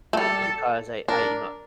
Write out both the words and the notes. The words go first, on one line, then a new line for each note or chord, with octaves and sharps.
because I I you know,
A3
G3 A4
D4 A#4